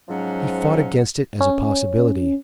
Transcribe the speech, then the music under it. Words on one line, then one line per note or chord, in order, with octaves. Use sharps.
He fought against it as a possibility.
G#2 F3 F#3 C#4 F#5
C#4